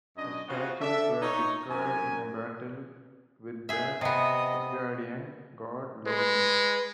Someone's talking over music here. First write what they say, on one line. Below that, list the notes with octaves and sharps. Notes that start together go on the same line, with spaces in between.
The statues were destroyed in a battle with the Asgardian god, Loki.
F#2 D4 D#5
C#3 C4 F4 F#4
D4 A4 E5
D#4 C#5
F#2 A#4 G#5
G#4 E5
C3 B3 D#5
G#3 B4